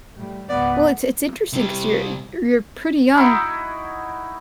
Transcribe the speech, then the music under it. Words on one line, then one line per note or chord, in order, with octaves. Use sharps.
Well, it's it's interesting 'cause you're e you're pretty young
A2 G3
C#2 G#2 B3 D5
C3 G3
D#4 E4 F#4